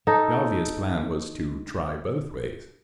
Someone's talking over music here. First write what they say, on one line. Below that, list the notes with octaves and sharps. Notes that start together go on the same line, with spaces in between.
The obvious plan was to try both ways.
D#4 A4